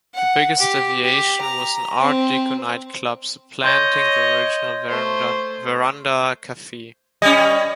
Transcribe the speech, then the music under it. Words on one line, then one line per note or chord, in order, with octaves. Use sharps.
The biggest deviation was an art deco night club supplanting the original Verandah Cafe.
F#5
G4
G4
A#5
C4
C#5 D#5 C6 G6 G#6
A3 C5
G3 C#4 D#5